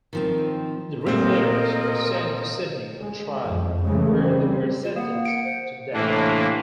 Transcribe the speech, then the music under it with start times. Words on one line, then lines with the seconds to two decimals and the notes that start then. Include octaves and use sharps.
The ringleaders were sent to Sydney for trial, where they were sentenced to death.
0.13 D#3 F3 C4
1.06 A#2 A3 C4 A#4 C5 D#5
2.98 G#3
3.46 F2
3.84 C#3 E3 G#3 A3
4.19 G3 C4
4.84 F4
4.96 A#3 F#5
5.25 C#7 D7
5.44 C5
5.94 A2 C3 E3 A#3 D4